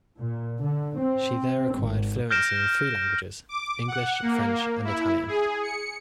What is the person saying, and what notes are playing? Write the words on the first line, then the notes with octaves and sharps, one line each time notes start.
She there acquired fluency in three languages, English, French, and Italian.
A#2
D3
C4
G#1
F6 G6 A#6 D7 E7
D6
F#5
A#3
E4
G#4
C#7